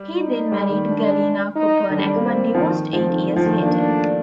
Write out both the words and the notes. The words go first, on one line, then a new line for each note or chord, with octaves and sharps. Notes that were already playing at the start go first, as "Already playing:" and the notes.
He then married Galina Kopernak but divorced eight years later.
Already playing: G3
D#4
G3
D#3
D4
D#4
D#3 D4
G3
A#3
C4
F3
D#3
F3 C4
D#3
D#3
F3
D#3
A#3 D4
A3